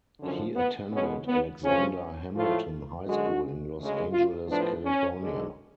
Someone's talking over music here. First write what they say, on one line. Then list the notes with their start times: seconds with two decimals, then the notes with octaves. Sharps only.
He attended Alexander Hamilton High School in Los Angeles, California.
0.19 F#2 D3 F3 C#4
0.54 B3
0.90 B2 G#3 B3 C#4
1.26 B3
1.62 D2 C#3 F3 C#4
2.33 A2 F3 A3 F4
3.04 F#2 D3 G#3 F#4
3.76 D2 C#3 G#3
4.12 F4
4.47 A2 F3 B3 D4
4.83 C#4
5.19 F#2 D3 G#3